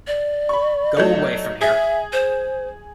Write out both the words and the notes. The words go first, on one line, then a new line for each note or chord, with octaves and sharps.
Go away from here.
D5
B5 C#6
F#3 A3 D#4
G#4 E5
C5